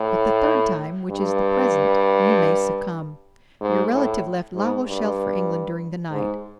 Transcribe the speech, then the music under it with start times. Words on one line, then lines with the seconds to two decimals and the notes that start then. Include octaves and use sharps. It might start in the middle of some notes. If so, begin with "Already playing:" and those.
But the third time, which is the present, you may succumb. Your relative left La Rochelle for England during the night.
Already playing: A2
1.10 G2
3.61 G#2
3.93 A2
4.55 G#2
4.87 G2
6.11 G#2